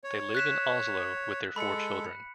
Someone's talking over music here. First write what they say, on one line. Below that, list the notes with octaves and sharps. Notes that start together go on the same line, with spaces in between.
They live in Oslo with their four children.
C#5
F#6 B6 E7
G#3 A4 B5 C#7